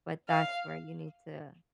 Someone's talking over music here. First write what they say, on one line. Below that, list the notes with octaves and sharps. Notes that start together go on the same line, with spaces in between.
but that's where you need to
F5